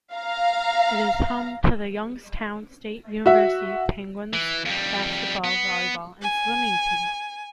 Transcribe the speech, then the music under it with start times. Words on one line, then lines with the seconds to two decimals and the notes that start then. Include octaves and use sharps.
It is home to the Youngstown State University Penguins basketball, volleyball, and swimming teams.
0.14 F5 A#5
3.26 F#4 E5
4.33 E3
4.65 F2 G3
5.44 B3
6.22 G#5